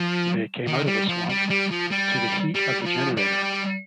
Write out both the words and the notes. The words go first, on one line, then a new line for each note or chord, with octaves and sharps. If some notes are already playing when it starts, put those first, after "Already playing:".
They came out of the swamp to the heat of the generator.
Already playing: F3
D#3
G3
F3
G3
G3
F3
G3
G3
F3
G3